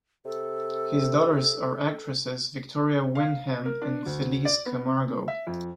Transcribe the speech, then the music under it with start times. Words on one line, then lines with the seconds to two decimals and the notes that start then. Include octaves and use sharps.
His daughters are actresses Victoria Wyndham and Felice Camargo.
0.25 C3 A4
3.15 F5
3.65 A#4
3.82 D4
4.06 D2
4.45 D5
4.66 B3
4.86 C4
5.28 E5
5.47 F2